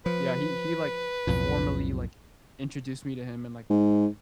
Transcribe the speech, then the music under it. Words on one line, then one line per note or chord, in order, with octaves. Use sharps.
yeah, he he, like, formally, like, introduced me to him and, like,
F3 B4
B1 F2 A2
G#2